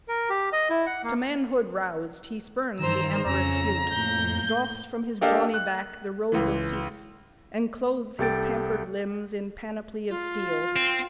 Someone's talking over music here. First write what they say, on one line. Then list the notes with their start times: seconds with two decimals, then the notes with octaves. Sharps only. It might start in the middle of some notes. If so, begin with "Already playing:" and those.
To manhood roused, he spurns the amorous flute, doffs from his brawny back the robe of peace, and clothes his pampered limbs in panoply of steel.
0.08 A#4
0.30 G4
0.53 D#5
0.70 E4
0.86 F#5
1.04 A#3
2.79 G2 D#3 E3 C5 A#5 E6
3.25 F2 C#3 C#4 A#5 E6
3.92 A2 A#3 G6
5.21 A#3 D4 G4 A4 D#5 F5
5.54 F#6
6.32 C#2 E3
8.19 C2 G4 A4 G5 A6 D7
10.09 F4
10.76 C4